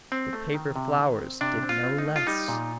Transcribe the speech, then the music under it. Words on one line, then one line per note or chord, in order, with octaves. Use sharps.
The paper flowers did no less.
C4
A3
D#3
C3
D#3
C4
C3 D4
C4
F4
C4
D#4
A3
F4
G3 D#4
A#2